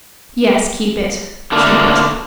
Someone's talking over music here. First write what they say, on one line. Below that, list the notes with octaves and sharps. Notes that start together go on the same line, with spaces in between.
"Yes, keep it--keep it."
D3 A3 A#3